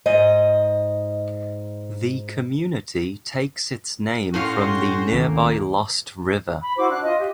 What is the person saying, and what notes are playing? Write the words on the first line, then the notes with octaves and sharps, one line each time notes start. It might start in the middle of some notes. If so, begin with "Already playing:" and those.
The community takes its name from the nearby Lost River.
G#2 D#5
A2 C#4 F#4 F5 G5 C6
D2 D#3 A#3 C4
B5
E4 F#4 C5 D6
D4 F#6
F4 D#5
G4